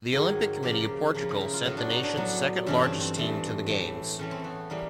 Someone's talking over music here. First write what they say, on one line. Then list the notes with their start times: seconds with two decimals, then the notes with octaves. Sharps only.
The Olympic Committee of Portugal sent the nation's second-largest team to the Games.
0.12 G#2 D#3 F#3 A#3 G#4
0.63 C#3 F3 A#3 G4
1.14 C#3 F3 A#3
1.29 D#4
1.41 E4
1.53 F4
1.64 A2 F#3 B3 F#4
1.77 D4
1.90 D#4
2.03 D4
2.16 A2 F#3 B3
2.66 G2 E3 A3 C#4
2.83 C4
3.00 C4
3.17 G2 E3 A3
3.67 A2 E3 A3
4.19 A2 E3 A3 C#4
4.31 C4
4.44 B3
4.70 E3 G3 A#3